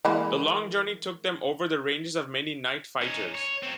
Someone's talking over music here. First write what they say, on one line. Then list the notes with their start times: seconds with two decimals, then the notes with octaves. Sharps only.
The long journey took them over the ranges of many night fighters.
0.05 E3 G#3 A#3
3.01 C#4 D#4
3.35 C#5
3.63 F#3 C4